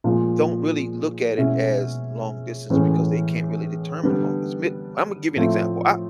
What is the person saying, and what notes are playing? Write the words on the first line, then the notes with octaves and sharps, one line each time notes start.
don't really look at it as long distance because they can't really determine long distance. May Imma give you an example: I
A#2 F3 G#3
B2 G#3 C#4 E4
A2 E3 G#3 C#4
D3 G3 B3 D4
A2 F3 A3 C4